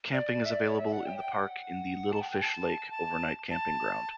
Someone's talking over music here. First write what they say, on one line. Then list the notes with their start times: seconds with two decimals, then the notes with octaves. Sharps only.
Camping is available in the park in the "Little Fish Lake" overnight camping ground.
0.13 D5
0.45 E5
0.52 D5
0.66 C#5
0.79 E5
0.92 F#5
1.06 G5
1.18 G5
1.32 F#5
2.12 A5
2.21 G5
2.32 G5
2.42 A5
2.91 A5
3.51 A5